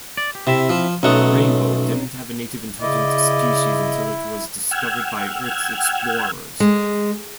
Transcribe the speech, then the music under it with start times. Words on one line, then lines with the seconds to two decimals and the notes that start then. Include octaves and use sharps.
Rainbow didn't have a native intelligent species until it was discovered by Earth's explorers.
0.17 D5
0.35 G4
0.47 C3 C4 E4 E5
0.70 F3
1.03 B1 A3 C#4 D#4 F#5 D#6
2.82 C#3 E4 D5 D#5
4.71 F#5 G5 E6 F6 G#6
6.60 G#3